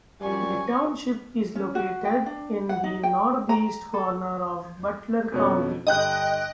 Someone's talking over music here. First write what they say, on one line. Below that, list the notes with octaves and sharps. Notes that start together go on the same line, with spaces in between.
The township is located in the northeast corner of Butler County.
F#2 F3 G3 G#5 C#6
C#4
F#4
G5
D4
F#5
D#4
G5
A#5
A4
F2 B2 C#4
G2 D3 D#5 G5 F#6